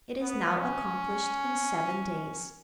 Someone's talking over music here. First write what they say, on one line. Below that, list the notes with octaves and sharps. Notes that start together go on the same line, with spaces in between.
It is now accomplished in seven days.
B3
C#4